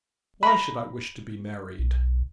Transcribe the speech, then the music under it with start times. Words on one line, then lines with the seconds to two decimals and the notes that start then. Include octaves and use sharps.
'Why should I wish to be married?
0.43 A#5 B5
1.79 B1